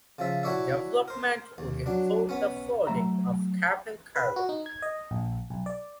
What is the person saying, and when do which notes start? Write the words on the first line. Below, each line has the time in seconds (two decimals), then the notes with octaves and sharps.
The development would include the flooding of Capel Celyn.
0.19 C#3 F3 E5
0.43 E4 F#4 A4 C#5 D5 E5
1.08 A#4 C5
1.58 D#2
1.86 F#3 D4
2.29 B3 C#4
2.87 F#3 A3 E5 A#5
4.16 B4
4.36 F#4
4.49 D#4
4.66 G#6
4.82 D#5
5.11 A#1
5.50 B1
5.66 D5